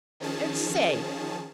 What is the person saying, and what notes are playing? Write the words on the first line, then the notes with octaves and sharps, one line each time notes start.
And say!
D#3 F3 C#4 G#4 A5